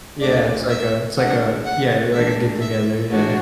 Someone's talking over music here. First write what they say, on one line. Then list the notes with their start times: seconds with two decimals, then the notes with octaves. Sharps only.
Yeah, it's like a it's like a yeah, yeah, like a get together, yeah.
0.20 D2 D3 A3 D5
0.69 E5
1.17 G#2 G#3 D4 F#5
1.65 F#5
2.12 A2 E3 G#3 D4 E5
2.61 E5
3.09 A2 E3 G#3 D4 F#4